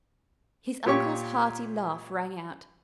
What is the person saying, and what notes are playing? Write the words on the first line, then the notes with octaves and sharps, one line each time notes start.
His uncle's hearty laugh rang out.
A#2 G4 C#5 C#6